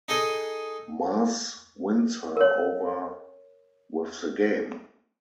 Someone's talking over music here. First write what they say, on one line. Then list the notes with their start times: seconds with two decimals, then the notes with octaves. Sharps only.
Mars wins her over with the game.
0.08 D#4 G#4 A4 D#5
2.37 A#4 C#5